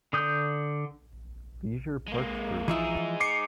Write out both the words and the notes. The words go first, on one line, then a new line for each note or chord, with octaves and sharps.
Leisure Parks group.
D3 D#6 G6
G#3 A#3
E3 F3 D#4 E4 G#4
D6 C7 C#7